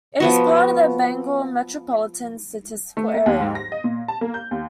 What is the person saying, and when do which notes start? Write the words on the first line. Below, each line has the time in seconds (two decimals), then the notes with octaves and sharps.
It is part of the Bangor Metropolitan Statistical Area.
0.20 F3 B3 F#4
2.97 A3
3.14 A#3
3.26 D#2
3.41 G#2
3.55 A#6
3.72 D#5
3.84 A#2
4.08 A5
4.21 A#3
4.34 G6
4.51 D#2